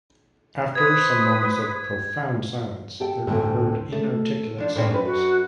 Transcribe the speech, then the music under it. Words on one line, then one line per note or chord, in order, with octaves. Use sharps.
After some moments of profound silence there are heard inarticulate sounds.
B4 C5 D#6 G#6
G4 A4 G5
D2 A2 A3 C4
A3
F3 D4
A2 C4 C#4
F#2 B4
F#4